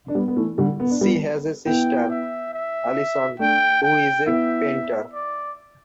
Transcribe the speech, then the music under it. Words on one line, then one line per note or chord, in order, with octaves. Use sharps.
She has a sister, Alison, who is a painter.
D4
G3 B3
B3
E3 A3
D3 G3
B3
D4
G3 B3
B3 E4 G5
E5
E5
A3 D4 G5
G5
B3 E4 E5
D5